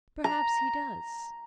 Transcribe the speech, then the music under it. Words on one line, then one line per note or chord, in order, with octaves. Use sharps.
Perhaps he does.
A#5